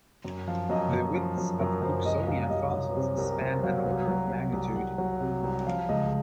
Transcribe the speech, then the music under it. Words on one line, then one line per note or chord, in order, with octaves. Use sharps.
The widths of "Cooksonia" fossils span an order of magnitude.
F#2
F3 F5
F#2 D#5
F#2
F3
F#2
F#2 A#4
F#2 C5
C2 D#5
C2 F5
C2 D#5
C2 C#5
C3 C5
C2 A#4
C2 C5
F#3 F5
C2
F#3
F#3
C2
C2 F#5
F#3
C3
C2
F3 F5
C#2 D#5